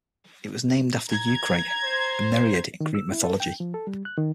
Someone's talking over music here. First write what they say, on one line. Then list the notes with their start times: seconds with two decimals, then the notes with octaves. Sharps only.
It was named after Eukrate, a Nereid in Greek mythology.
1.09 A#5 G#6
1.84 C5
2.80 D#3
2.95 E6
3.12 E4
3.24 A4
3.40 G5
3.60 F3
3.74 A4
3.87 G3
4.05 F#6
4.17 D#3